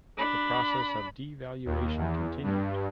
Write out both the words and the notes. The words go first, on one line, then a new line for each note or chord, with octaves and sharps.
The process of devaluation continued.
D4 B5
D#2
E2
G2